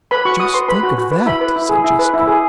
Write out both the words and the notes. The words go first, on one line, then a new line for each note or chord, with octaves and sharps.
"Just think of that!" said Jessica.
B4 B5
F#4 C#6
F#4 D#6
B4 C6
B4 B5
F#4
F#4
B4
E4 B5
B4
E4
G#4
E4
B4
E4
G#4